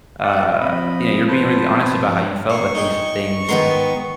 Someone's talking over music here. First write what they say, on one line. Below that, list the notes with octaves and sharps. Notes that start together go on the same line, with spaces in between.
uh, you know, you're being really honest about how you felt about these things.
D5 F#5
F3 C4 D#5 B5
B4 C5 A5
F3 C#5 D6
A#3 C#6
D#4 G#4 G5
G#2 D#3 B3 A#4 A#5 C6